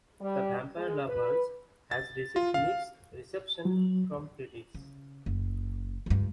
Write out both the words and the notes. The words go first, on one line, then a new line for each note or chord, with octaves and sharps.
"The Vampire Lovers" has received mixed reception from critics.
G3
G#3
B4
A6
F4
F5
F#3
C#3
F#1
C#2 G2